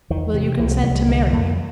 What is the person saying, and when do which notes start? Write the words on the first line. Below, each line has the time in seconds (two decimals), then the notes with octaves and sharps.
"Will you consent to marry me?"
0.10 E2 D#3
0.34 C3
0.59 C2 E3
0.71 F3
0.84 C2 G3
0.91 F#3
0.95 G3
1.08 D3 G#3
1.32 F2 A#3